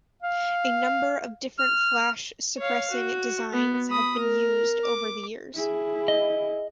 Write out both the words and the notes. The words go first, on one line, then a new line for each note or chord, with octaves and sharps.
A number of different flash suppressing designs have been used over the years.
F5
F6
C#5 F5
F#4
B3
B5 D#6
A#4
D6
E4 G#4
D#5